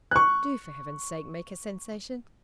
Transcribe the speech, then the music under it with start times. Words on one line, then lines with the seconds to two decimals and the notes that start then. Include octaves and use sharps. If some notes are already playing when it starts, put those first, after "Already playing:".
Do for Heaven's sake make a sensation.
0.11 C#6 F#6